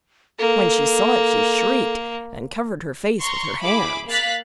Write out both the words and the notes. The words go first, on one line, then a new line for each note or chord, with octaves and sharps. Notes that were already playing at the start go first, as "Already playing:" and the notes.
When she saw it she shrieked, and covered her face with her hands.
A#3 A4
A#5 C6 C#6
E4 G#4 B5 D6
A#3 F5 F#6 A6 B6